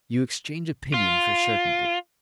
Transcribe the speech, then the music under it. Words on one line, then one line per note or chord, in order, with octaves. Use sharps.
You exchange opinion for certainty.
F4